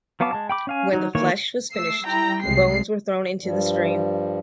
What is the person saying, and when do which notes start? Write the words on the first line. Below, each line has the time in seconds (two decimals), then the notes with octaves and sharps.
When the flesh was finished the bones were thrown into the stream.
0.20 F#3 B3 F5 A5 D6
0.33 G#3 A5
0.49 G5 B5 D6
0.67 C#4 F5 G#5
0.93 F#3 D#4
1.15 D#3 E3 A#3 C#5
1.72 A3 E6 C7
2.04 G3 E4 G5 A#5
2.42 C2 C3 G#3 C7
3.41 G2 F3 G3